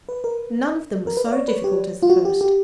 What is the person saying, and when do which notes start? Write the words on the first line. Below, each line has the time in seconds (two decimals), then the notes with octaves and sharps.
None of them was so difficult as the first.
0.09 B4
0.24 A#4
1.07 A#4
1.17 B4
1.27 D5
1.33 C#5
1.48 B4
1.64 G4
2.03 F4
2.10 F#4
2.25 G4
2.41 G4